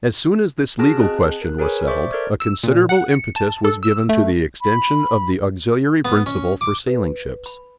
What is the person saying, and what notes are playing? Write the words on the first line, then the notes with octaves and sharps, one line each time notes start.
As soon as this legal question was settled a considerable impetus was given to the extension of the auxiliary principle for sailing ships.
F#4 G#4 A5 F6 F#6 A#6
C4 G#4 D#5 A5 F#6
A#4 F#6
G#4 A#4 B4 C#5 G#5 B5
C5 D5 E5 C#6 D6 G6
A4 A#4 C5 D5 F6 G#6
E6
A#2
F#5
C#7
A5
A4
E6
A3
B5
B3
C#4
D6
B4
B5